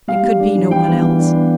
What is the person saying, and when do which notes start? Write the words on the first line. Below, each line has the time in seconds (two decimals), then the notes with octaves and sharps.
It could be no one else.
0.08 G3 F5
0.23 G3
0.40 D4
0.55 E3
0.71 E3 G5
0.87 B3
1.02 E3
1.19 D4
1.35 B3